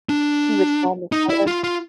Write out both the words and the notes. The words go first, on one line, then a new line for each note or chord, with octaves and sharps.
he would fall on the floor.
D4
D#4
E4
F4
F4